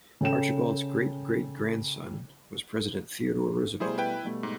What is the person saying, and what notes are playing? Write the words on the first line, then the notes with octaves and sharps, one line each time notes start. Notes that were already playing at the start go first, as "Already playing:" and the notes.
Archibald's great-great-grandson was President Theodore Roosevelt.
C#3 A4 G5 E7
B2 G3 A3 E4 G#4 C5
E4 B4 G5
B2 G3 A3
G#2